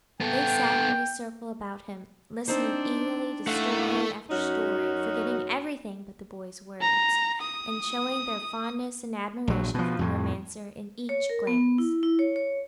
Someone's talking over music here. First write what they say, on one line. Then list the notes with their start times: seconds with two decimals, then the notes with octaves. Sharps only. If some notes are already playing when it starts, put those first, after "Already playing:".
They sat in a circle about him, listening eagerly to story after story, forgetting everything but the boy's words, and showing their fondness and admiration for the romancer in each glance.
0.21 B3 A4 G5
2.48 C4 D4 D#4 C5
3.47 A3 E4 F5 F#5
4.29 F#2 C#4 D#4 F#4
6.81 A#5
7.42 D#6
9.48 A#1 F#3
9.74 B2 F3
9.99 F2 A2
11.09 C#5
11.29 A#4
11.47 B3
11.78 E4
12.03 E4
12.19 C#5
12.36 C#5